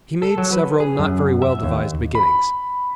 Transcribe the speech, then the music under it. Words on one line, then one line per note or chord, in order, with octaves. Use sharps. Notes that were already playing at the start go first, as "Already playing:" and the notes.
He made several not very well-devised beginnings.
A4
F#3
B4
G#4
F#2
E5
D#2
B5